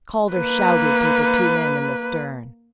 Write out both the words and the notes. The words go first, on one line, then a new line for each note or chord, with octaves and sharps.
Calder shouted to the two men in the stern.
A#3 B4